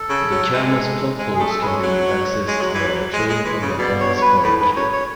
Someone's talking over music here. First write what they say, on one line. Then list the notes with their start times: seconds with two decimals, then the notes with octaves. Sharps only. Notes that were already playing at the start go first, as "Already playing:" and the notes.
The Camas Potholes can be accessed via a trail from Lacamas Park.
Already playing: A4
0.09 C#3
0.32 F#3
0.53 G#3
1.18 G#3
1.34 G#4
1.40 A3
1.45 G#4
1.51 A4
1.61 G#3 B4
1.66 C#5
1.83 F#3
2.48 G#3
2.61 F#3
2.74 E3
2.87 F#3
3.13 G#3
3.30 G#3
3.45 E3
3.62 C#3
3.78 B2 D5
4.00 C#5
4.17 C#5
4.21 B4
4.43 A2 B4
4.60 G#2 B4
4.76 F#2 C#5
4.92 C#5